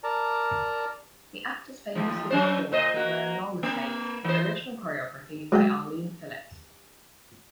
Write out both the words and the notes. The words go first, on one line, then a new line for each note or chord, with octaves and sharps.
The actors famously perform wearing roller skates, with original choreography by Arlene Phillips.
A#4 D5 A5 A#5
D#2 F3
F#3 C#4 C5
A#2 C5 D#5
A#3 F#4
A#3
E3 C5
F#3 G#3 G5